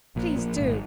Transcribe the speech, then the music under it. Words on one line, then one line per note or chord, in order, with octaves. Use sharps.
Please do.
A#1 A#2
A#1 A#2
G#1 G#2